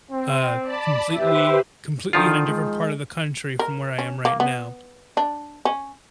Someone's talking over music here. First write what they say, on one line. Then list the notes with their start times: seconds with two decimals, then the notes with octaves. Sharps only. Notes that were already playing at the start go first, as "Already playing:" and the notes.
uh, completely completely in a different part of the country from where I am right now.
0.11 C4
0.61 D5 A5 B5
1.14 G4 B4 C5 E5
2.13 D3 D#3 F3 F4
2.48 G#3
3.59 A#4
3.99 C#4
4.25 A#3
4.40 B3
5.17 D4
5.65 C#4